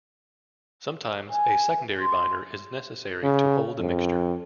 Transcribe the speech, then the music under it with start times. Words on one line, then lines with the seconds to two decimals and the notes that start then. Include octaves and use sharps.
Sometimes a secondary binder is necessary to hold the mixture.
1.32 G#5
2.01 C6
3.23 C#3
3.80 F2